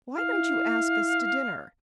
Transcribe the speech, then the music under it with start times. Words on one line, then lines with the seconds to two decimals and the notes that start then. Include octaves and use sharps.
Why don't you ask us to dinner?
0.17 E4 F5